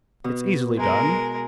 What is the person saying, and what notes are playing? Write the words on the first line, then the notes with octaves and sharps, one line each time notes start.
It's easily done.
B2
G#3 A#4